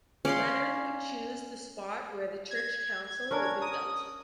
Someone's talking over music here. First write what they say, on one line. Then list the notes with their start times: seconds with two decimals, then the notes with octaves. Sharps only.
Leonard would choose the spot where the church council would be built.
0.25 C#4 D5 F5 C6
2.50 G#6
3.31 C#4 D4 A#4
3.62 A#4 D#6